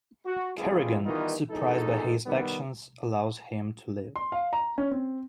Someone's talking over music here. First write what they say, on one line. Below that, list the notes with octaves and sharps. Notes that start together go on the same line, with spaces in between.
Kerrigan, surprised by his actions, allows him to live.
F#4
A1 F2 B2 G3 F4 G#4
D#3 E3 G3 B3 D#4 F4
A#1 E2 G#2 D#4 G#4 A4
D#3 G3 B3
C6
F5
A#5
C#4
C4